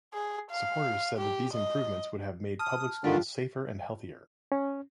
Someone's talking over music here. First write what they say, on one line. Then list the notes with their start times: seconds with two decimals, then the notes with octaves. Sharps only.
Supporters said that these improvements would have made public schools safer and healthier.
0.14 G#4
0.51 F5
1.18 G4
1.54 D#5
2.59 A5 D#6 F6
3.04 G2 D3 D#3 D4 F4 G4
4.52 C#4